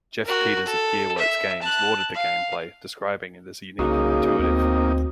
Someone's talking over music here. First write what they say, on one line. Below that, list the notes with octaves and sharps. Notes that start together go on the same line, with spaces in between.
Jeff Peters of GearWorks Games lauded the gameplay, describing it as unique and intuitive.
F#4 A#4
A4
E5
A5 F#6
F5
C2 C#3 A#3 D#4 F#4
D2 C4